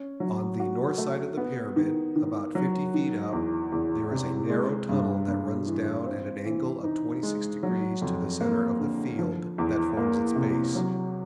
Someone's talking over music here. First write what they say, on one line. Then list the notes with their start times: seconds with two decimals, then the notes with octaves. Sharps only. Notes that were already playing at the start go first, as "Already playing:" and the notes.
On the north side of the pyramid, about fifty feet up, there is a narrow tunnel that runs down at an angle of twenty-six degrees to the center of the field that forms its base.
Already playing: C#4
0.20 F#3
0.60 F#4
0.98 A3
1.37 B3
1.76 D#3
2.16 D#3
2.55 F#3
2.94 D#3
3.33 E2
3.72 E2
4.11 C3
4.50 G#3
4.89 G2
5.28 G2
5.67 E3
6.06 C4
6.45 E3
6.84 D#4
7.23 G#3
7.63 F#3
8.02 F2
8.41 A#3
8.80 D3
9.19 F3
9.58 E2
9.97 A#3
10.36 C3
10.75 F#3